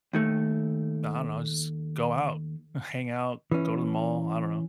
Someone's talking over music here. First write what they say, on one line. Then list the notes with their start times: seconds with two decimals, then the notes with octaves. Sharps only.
I don't know, I just go out, hang out, go to the mall, I don't know.
0.13 D#2 D#3 A3
3.51 E3 C#4